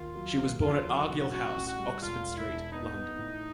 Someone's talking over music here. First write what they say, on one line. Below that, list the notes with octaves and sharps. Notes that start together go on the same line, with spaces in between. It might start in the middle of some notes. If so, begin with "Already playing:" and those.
She was born at Argyll House, Oxford Street, London.
Already playing: D#2 F4
F#3
D#2
E2 F4
F#3
F#4
B2
A1 F#4
A1
F#4
G3
E1 F4
E1
E4
E1
B3 D#4
B3
A2